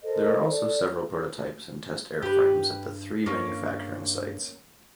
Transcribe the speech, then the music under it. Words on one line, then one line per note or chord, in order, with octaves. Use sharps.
There are also several prototypes and test airframes at the three manufacturing sites.
A4 A#4 C5 D#5
A4 D5
G2 G4 B4
G2 A#3 C#4